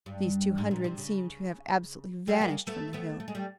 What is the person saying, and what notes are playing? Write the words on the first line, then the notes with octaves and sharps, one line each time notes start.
These two hundred seemed to have absolutely vanished from the hill.
G2
G#2
A#2
C3
C#3
G3 A3
G#3 A#3
A3 B3
A3 B3
A3
G#3
G3 A3